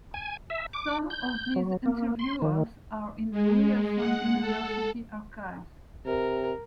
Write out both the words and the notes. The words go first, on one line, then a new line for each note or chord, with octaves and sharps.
Some of these interviews are in the Ryerson University archives.
G#5
E5
D6
G6
F#3
A#3
C6
D#3
G#3
F#5
A4
C3 A#4